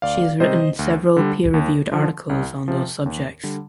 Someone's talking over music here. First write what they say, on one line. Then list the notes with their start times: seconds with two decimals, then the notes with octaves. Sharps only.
She has written several peer reviewed articles on those subjects.
0.02 D2 D5 F5
0.40 C3 D#3 G3 C5 D#5
0.79 D2
1.16 D3 G3
1.54 D#2
1.92 D3 F3
2.29 C2
2.68 C3 F3
3.06 D#2
3.43 D3 G3